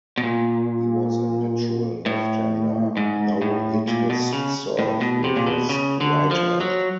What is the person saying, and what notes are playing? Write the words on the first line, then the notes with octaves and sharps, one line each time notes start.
He was a natural left-hander, though hit his serve with his right hand.
B2
A#2
A2
G#2
A2
A#2
B2
C#3
A2
B2
C3
A#2
B2
C#3
D3
F3
F#3